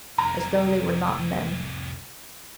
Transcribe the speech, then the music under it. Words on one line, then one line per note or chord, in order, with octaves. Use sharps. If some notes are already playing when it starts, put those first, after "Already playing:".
As though they were not men.
C2 F2 A#5